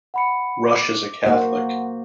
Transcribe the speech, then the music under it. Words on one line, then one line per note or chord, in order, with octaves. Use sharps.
Rush is a Catholic.
F#5 B5 C#7
D6
A#3 F#4 C5 F#5